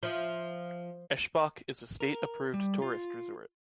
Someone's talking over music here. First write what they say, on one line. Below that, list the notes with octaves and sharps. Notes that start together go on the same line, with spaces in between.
Eschbach is a state-approved tourist resort.
F3 E5
A#4
G3
F4